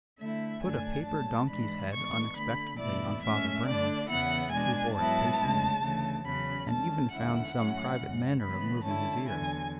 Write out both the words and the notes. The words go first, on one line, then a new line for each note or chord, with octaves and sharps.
He put a paper donkey's head unexpectedly on Father Brown, who bore it patiently, and even found some private manner of moving his ears.
D3 A3 E4 E5
F#2 D3 A3 D4 G#5
G#2 F#3 A3 A5
G#2 E3 G#3 D4 B5
G#2 E3 G#3 B3 D4 C#6
D2 D3 A3 B5
E2 B2 A3 E4 D5
A2 G#3 C#4 E5
D3 A3 D4 D5
E2 C#3 E3 B3 E4 F#5
B2 G#3 D4 G#5
G#2 F#3 B3 E4 A5
D2 C#3 G#3
D2 C#3 E3
E2 C#3 F#3 C#4 B5
D3 G#3 C#4 A5
E2 D3 G#3 C#4 E4 F#5
A2 F#3 A3 C#4 E4
F#2 C#3 G#3
C#3 E3 G#3 B3 B5
D3 G#3 C#4 E4 A5
E2 D3 F#3 G#5